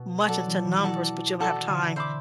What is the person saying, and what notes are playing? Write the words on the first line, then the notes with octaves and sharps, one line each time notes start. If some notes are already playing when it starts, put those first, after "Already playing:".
much into numbers but you don't have time
Already playing: B2
F#3 F#4 A4 D5 A5
E3
E3
F#4 A4 D5 A5
E3 F#4 A4 D5 A5
D3
C5 E5 B5 D6